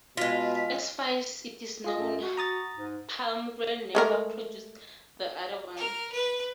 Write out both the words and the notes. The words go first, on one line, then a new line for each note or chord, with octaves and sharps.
As far as it is known, Palmgren never produced the other one.
B2 G#3 F4 B6
F4 G#4 D#5
F#2
F#4
A#5 D#6 A6
G#2
G#3 A3 A#4
A#4
B4